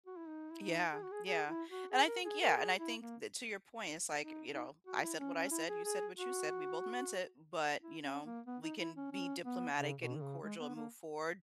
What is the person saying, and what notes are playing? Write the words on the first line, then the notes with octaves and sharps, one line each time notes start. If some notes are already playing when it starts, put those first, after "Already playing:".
Yeah. Yeah. And I think yeah, and I think that to your point, it's like, you know, "I said what I said, you said what you said. We both meant it, but," you know, "we can be diplomatic and cordial and move forward,"
F#4
E4
D#4
E4
D#4
G#4
F#4
G#4
G#4
E4
F#4
G#4
A#4
G#4
A#4
G#4
E4
A#3
D#4
D#4
F#4
E4
C#4
C#4
E4
G#4
G#4
F#4
E4
C#4
A#3
B3
D#4
E4
C#4
C#4
B3
C#3
B2
D#3
C#3
G#3
B3
A#3